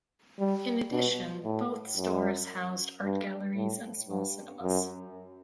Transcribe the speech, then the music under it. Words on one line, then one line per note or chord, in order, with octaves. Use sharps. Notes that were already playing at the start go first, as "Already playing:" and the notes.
In addition, both stores housed art galleries and small cinemas.
G3
B2
A2
F#2
G2
A2
G2
F#2